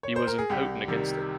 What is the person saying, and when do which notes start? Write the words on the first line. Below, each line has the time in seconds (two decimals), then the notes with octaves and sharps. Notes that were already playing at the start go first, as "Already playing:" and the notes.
He was impotent against it.
0.03 C#5
0.16 C5
0.27 A#4
0.38 G#4
0.50 C2 G4
0.88 C3 D#3 G3